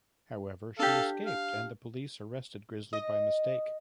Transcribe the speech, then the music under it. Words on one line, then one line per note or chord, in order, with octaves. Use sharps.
However, she escaped and the police arrested Grizzly by mistake.
D4 G4 A4 F5
F5
D#5